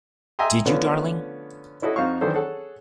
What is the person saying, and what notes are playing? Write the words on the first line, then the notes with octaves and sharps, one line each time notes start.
Did you, darling?
D#5 E5 G5 G#5 A#5 C6
D3 F3 A3 B3 C#4
C#4 E4 F#4 A4 D#5
F2 D#4 F#4 C5 F5 C#6
D#3 E3 F#3 D4 A4 C5
G#4 A4 C#5 F#5 A5